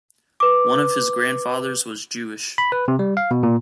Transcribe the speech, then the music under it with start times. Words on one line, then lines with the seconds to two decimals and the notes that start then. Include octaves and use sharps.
One of his grandfathers was Jewish.
0.40 B4 D6
2.58 B5
2.72 B4
2.88 C3
2.99 G3
3.17 F5
3.31 B2
3.43 A#2